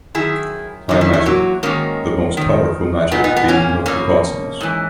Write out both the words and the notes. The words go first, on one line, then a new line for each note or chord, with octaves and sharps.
High Magic: The most powerful magic, being of the Cosmos.
F#2 D#3 E4 G#4
E2 D#3 D#4
C#4 E4
C#4 E4
F#3 A#3
G#2 D#3 A#3 C#4
G#2 D#3
A#2 B3 D#4
B3 D#4
B3 D#4
A#3 C#4
E2 B2 A#3 C#4
G#2 E3